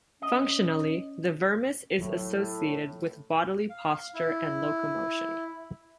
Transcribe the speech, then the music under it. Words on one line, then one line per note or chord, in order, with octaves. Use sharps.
Functionally, the vermis is associated with bodily posture and locomotion.
C#4 D#5
A2 F#3
F5
E4